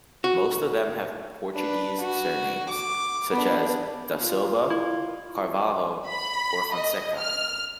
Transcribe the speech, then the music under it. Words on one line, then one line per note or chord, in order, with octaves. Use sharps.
Most of them have Portuguese surnames, such as "da Silva", "Carvalho" or "Fonseca".
F#4
D4 B4
F#4
D6
B3 D4
F4
E4
B5
D#5
F6